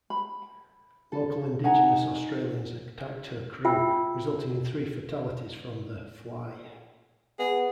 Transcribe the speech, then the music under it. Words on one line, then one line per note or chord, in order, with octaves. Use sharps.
Local indigenous Australians attacked her crew; resulting in three fatalities from the "Fly".
B5
A4
D#4 F#5 G#5 A#5
F4 E5 G5 E6
B3 G#4